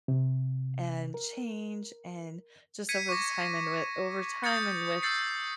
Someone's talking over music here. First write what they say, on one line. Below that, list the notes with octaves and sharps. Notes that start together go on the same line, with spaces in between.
and change, and just over the time, and wi over time, and with
C3
A#4
G#6 B6 C#7 D#7
C#6 D6 A#6
D#6 G6 A6 C#7
E6 G6 A6 C7 C#7